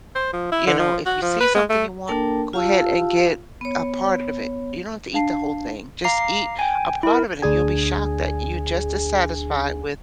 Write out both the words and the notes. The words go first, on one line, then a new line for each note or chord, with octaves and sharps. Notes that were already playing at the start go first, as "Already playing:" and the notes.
you know, if you see something you want, go ahead and get a part of it. You don't have to eat the whole thing, just eat a part of it, and you'll be shocked that you're just as satisfied with
C5
F3
E4
D3
F3
F#4
F3
B4
G#3
A3
A#3 D4 A4 A#4 G5 A5
F4 G4 F5 A5 E6
B3 C#5
D4 F5 A5 C7
F5 A#5 D6 C7
G5 G#5
E4 A#4
D2 D4 G#4 G#5